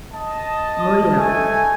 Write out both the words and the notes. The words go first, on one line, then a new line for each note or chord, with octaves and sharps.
Oh, yeah.
D#5 A5
A3 G#5